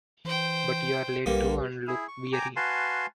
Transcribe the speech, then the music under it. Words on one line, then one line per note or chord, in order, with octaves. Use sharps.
But you are late too, and look weary.
E3 C5 G5
B1 D3 G3 A#3 G4 B4
E4 G#4
C#6
G5 G#5 A#5 D6
F#4 B4 F5 G#5 A5 C6